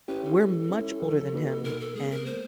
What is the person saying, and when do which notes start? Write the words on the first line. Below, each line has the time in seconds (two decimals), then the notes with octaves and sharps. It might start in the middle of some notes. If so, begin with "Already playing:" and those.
we're much older than him, and
0.08 C#4 E4 G4 B4
0.24 A4
0.40 G#3
0.70 C#4 E4
1.02 F3
1.33 A#3 D#4 F#4 B4
1.64 B2 A#4
1.80 A4
1.95 G#3 B3 G#4
2.11 A#4
2.25 A#3 C5